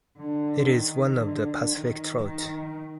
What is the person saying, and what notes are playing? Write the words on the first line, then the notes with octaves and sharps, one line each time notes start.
It is one of the Pacific trouts.
D3
D#3
D3
D#3
D#3